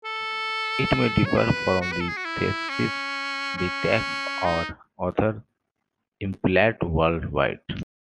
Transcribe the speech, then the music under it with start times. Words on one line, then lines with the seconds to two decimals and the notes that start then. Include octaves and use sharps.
It may differ from the thesis-the text's or author's implied worldview.
0.05 A4
1.25 C#5
1.37 B4
1.81 F#4
1.92 B4
2.00 A4
2.09 G#4
2.17 F#4
2.25 E4
2.69 C#4
3.57 C#4
4.45 D#4